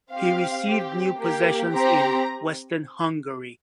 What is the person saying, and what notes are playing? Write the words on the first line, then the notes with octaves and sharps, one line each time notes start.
He received new possessions in western Hungary.
C4 G4 F5
C4 G4
A#3 G4
C4 G4 A#5